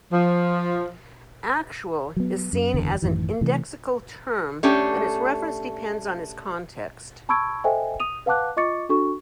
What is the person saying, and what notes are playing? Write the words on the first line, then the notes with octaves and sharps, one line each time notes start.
"Actual" is seen as an indexical term, and its reference depends on its context.
F3
F#3 B3
F#2
F#1 E2 D3
A1 F#2 D#3 E3
C3 E3 A3
A3 C#4 D4 G4
A5 B5 C#6 E6 G#6 D7
A4 C5 D#5 E5 G5 G#5
D#6 D#7 F7
B4 F5 F#5 A5 D6 F#6
F4 D#5 C#6 D6 A6 C#7
D4 F#4 A4 C#6